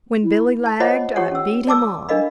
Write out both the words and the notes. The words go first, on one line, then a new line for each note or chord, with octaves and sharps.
When Billy lagged I beat him on.
E4
A5
F4 C5 C#5 D#5 F#5 B5
F4 G4 C#5 F#5
C#4 E6
D5 A5 D6 E6
D4 A#4 D#5 F5 B5